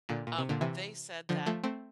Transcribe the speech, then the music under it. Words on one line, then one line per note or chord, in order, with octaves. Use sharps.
um, they said that
A#2 D3
A#2
C3
A#2 D3
C3 E3
D3 F3
F3 A3
A3 C4